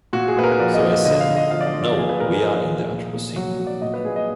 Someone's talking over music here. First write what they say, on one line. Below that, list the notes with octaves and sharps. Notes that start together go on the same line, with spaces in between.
So I said: 'No, we are in the Anthropocene.
A#2 F#4
G#4
A#2 B4
A#4
B4
F3 D5
D#5
F3
D#5
D3 D#5
F5
D3
D#5
F3 F5
D5
D#5
F3
D5
A#2 G#4
B4
A#2 A#4
G#4
F3
F3
A#2
A#2
F#3 F#4
F#3
D5
A#2 D#5
B4
A#2 G#4
D#5